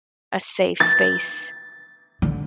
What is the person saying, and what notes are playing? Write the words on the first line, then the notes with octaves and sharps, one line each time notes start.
a safe space
A6
D3